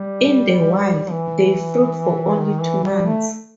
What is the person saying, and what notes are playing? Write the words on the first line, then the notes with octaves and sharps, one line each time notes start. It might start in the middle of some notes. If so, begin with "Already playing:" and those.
In the wild, they fruit for only two months.
Already playing: G3
E3
D#3
E3
G3
A3